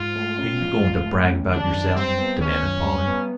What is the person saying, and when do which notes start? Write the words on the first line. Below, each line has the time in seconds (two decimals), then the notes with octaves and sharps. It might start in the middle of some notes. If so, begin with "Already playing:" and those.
"Are you going to brag about yourself?" demanded Polly.
Already playing: G#2 F4
0.16 A3
0.38 C#4
0.61 F3
0.83 G#2
1.06 A3
1.28 C#4
1.50 D#3 D4
1.73 F#2
1.95 G3 C4
2.19 B3
2.40 D#3 C#4
2.63 F#2
2.85 G3
3.07 B3